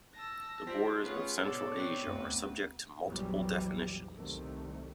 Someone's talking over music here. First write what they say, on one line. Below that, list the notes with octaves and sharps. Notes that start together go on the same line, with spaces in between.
The borders of Central Asia are subject to multiple definitions.
A5 E6 A#6
F4 G4 C5 D5 B6
A3 C#4 F4 G#4 B4 F#5
G#2 B2 A4 C#5 D5
C4 B4
D2
A#1 E2 G#2 E3 F#3 G3
C2 D#3 A3